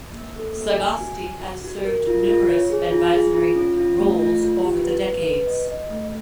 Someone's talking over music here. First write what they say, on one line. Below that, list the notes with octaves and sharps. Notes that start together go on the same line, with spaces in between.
Sagasti has served numerous advisory roles over the decades.
A#3
A4
A#3
G#5
F#4
F#4
F#4
F#4
A#4
F4
F4
C#5
G#4
F4
G#4
F4
C#4
F4
A3
F4
F4
G4
B4
B4
B4
D#5
D#5
A3